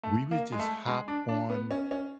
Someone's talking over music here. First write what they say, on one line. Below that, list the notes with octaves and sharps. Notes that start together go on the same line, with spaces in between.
we would just hop on
A3
A#3
G#3
A3
G#3
D4
D4
B3
C#4
C#4